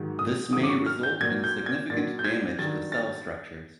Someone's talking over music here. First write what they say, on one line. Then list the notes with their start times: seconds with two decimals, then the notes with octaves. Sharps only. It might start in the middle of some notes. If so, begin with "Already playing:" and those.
This may result in significant damage to cell structures.
Already playing: G#2 D#3 F#3
0.19 D#6
0.52 G#2 D#3 F#3 D#6
0.63 D6
0.69 C#6
0.86 F6
1.03 G6
1.21 A#2 F#3 G#6
1.44 G6
1.66 G#6
1.90 A#2 F#3 A6
2.19 G6
2.25 G#6
2.59 G2 D#3 F#3 A6
2.92 A6